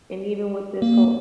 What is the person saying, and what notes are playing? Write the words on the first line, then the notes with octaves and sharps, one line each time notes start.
and even with this whole
A#3